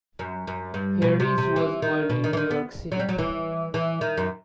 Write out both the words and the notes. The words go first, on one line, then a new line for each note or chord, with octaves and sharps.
Harris was born in New York City.
F#2
F#2
G2
B2
C3
C3
E3
D#3
B2
D#3
E3
D#3
B3
F#3
G3
F#3
E3
E3
D#3
F#2